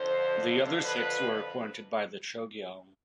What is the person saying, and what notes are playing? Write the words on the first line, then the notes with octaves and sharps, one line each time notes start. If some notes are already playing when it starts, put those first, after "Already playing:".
The other six were appointed by the Chogyal.
Already playing: F2 D3 F3 C5
B4